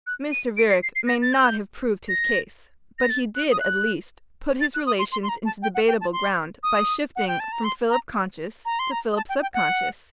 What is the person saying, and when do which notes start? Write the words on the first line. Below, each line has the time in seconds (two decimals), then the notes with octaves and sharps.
Mr. Viereck may not have proved his case, but he did, at least, put his relations into debatable ground by shifting from Philip conscious to Philip subconscious.
0.07 F#6
0.32 D#7
0.57 D7
0.70 C7
0.83 C7
0.95 C7
1.07 A#6
1.22 A6
1.33 G6
2.09 A#6
2.99 A#6
3.10 A6
3.35 F#6
3.52 D#6
3.60 F#6
4.61 A6
4.74 F#6
4.87 D#6
4.99 C6
5.12 C6
5.23 C6
5.29 A#5
5.45 A5
5.62 G5
5.75 F#5
5.88 G5
6.01 A5
6.13 C6
6.63 D#6
7.16 F#5
7.28 G5
7.40 A5
7.52 A#5
7.64 C6
7.90 A#5
8.65 A#5
8.79 C6
8.91 A#5
9.16 A5
9.29 G5
9.42 G5
9.54 F#5